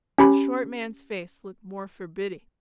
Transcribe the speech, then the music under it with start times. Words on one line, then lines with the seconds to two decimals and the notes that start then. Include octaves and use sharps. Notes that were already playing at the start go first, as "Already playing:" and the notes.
The short man's face looked more forbidding.
0.18 C#4 G4 B5